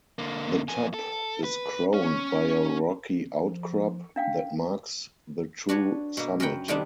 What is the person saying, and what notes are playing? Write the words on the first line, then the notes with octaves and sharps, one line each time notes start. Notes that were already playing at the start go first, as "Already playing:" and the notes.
The top is crowned by a rocky outcrop that marks the true summit.
D3 A#3
F2 G#5
A4
B4
C#4 C#5
F3
C#4 D4 F5 G5
D4 F#4 B4 C#5
B2 A#3
F#2 A#4 B4 F#5 G5
C3 D#3 G3 A#3 B3 D4